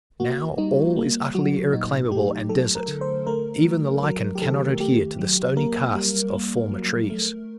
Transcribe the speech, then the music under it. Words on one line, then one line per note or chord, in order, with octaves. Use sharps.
Now, all is utterly irreclaimable and desert; even the lichen cannot adhere to the stony casts of former trees.
A#3 F#4
G3 D#4
A#3
F#3 F#4
A#2 D#4
A3 G4
F#3 A4
A#4
D3
C5
A3 A#4
F#3
F#3 A#4
G4
D#3 A4
A3 G4
F#3
A#3 A#4
G3
A#3
F#3
A3